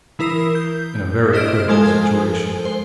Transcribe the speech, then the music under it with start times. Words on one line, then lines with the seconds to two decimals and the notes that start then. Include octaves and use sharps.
In a very critical situation.
0.19 E3 E4 A#4 D#6 C7
0.55 G6
1.33 E4 C5 D#5 F6 F#6 D7
1.68 F3 G#3 A4 A#4 C5 G#5
2.65 C5